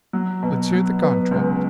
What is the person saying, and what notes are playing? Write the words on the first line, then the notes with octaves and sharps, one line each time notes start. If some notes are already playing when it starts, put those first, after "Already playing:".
"Let's hear the contract!"
F#3
B2
F#3
B3
C#2